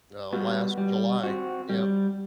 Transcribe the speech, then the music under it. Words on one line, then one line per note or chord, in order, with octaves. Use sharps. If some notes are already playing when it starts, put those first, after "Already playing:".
uh, last July Yep.
G3 B3 F#4
G3
C4 F#4
G3